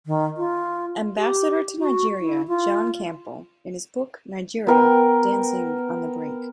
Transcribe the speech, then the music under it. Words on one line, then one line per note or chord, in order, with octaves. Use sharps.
Ambassador to Nigeria John Campbell in his book, Nigeria: Dancing on the Brink.
D#3
F4
G4
F#4
E4
F4
B3 A#4 G5